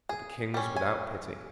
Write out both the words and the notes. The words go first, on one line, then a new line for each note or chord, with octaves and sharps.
But the King was without pity.
G#4
G3 C#4
G#5